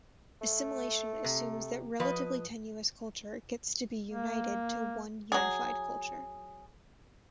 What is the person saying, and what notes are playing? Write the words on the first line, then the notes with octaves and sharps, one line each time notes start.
Assimilation assumes that relatively tenuous culture gets to be united to one unified culture.
A3
C3
F3 B4 D#5
A#3
F#3 G#4